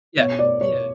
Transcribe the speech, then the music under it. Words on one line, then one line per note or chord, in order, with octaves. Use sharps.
Yeah, yeah.
B2 C#5
D5
C#5